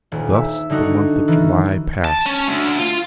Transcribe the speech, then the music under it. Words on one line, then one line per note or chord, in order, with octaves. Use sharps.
Thus the month of July passed.
D#1
E5
D3 G3 D#4 F#4
D#3 E3
A5
C#4
D2
F4